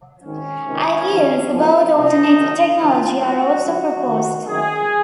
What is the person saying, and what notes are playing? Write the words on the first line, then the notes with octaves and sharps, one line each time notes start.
Ideas about alternative technology are also proposed.
G#1 G#2 D#3 C#4
C#2 C3 D#3
G#1 G#2 F3
F#1 F#2 F3
C2 C3 F3 D#4
F#1 F#2 D#3
F2 C3 D#3 F4
C#2 C3 F3 F#4
C#2 C#3 F3 F#4
D#2 D#3
F#1 F#2 D#3 G#4